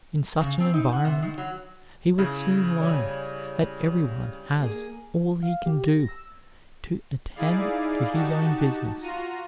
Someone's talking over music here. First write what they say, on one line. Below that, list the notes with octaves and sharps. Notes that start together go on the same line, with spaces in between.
In such an environment he will soon learn that everyone has all he can do to attend to his own business.
C#3
C4
D#4
F#5
C3
D#3
F#3
C#3 E4
G3 C#5 G#5
A#3 G#4
F5
G4
A#6
E6
D#4 E4 G#4 D5 F5
D#4 F#4 G4 A5
F4 F#4 A#5 D#7